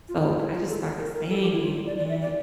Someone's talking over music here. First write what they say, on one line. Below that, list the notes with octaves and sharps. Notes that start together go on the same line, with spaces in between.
So I just started saying it, and
F4
F4
E4
F4
A4
A#4
A#4
A4
G4
E4
F4
E4
D5
D5
E5
D5